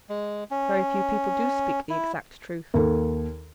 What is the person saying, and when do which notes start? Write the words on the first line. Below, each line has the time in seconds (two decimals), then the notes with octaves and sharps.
'Very few people do speak the exact truth.
0.09 G#3
0.51 C#4
1.90 E4
2.74 D#2 A4